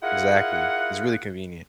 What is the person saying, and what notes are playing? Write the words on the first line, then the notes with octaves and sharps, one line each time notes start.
Exactly. It's really convenient.
E4 F4 G#4 A#4 F#5